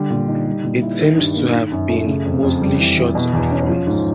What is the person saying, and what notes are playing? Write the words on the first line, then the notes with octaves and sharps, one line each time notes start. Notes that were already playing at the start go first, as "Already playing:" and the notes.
It seems to have been mostly short of funds.
Already playing: D3 G3
A#2
D#4
G3
A#2
E4
D#3
G2
A#3
D#3
F#2
A3
C#3
F2
F2
G3
E3
E3
B2
E2
C#4
F3
G#2